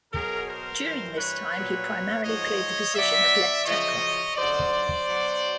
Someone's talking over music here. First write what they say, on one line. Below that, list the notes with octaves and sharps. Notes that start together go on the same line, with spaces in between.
During this time, he primarily played the position of left tackle.
B2 F#3 G#4 A#4
A#4 C5
G2 E3
B4 C#5
A#2 F#3
G#2 F3 C#5 D#5
B2 F#3 D5 E5
F#2 C#3 F3 C#5 D#5
F#2 D3 F#3 C5 D5
B2 F#3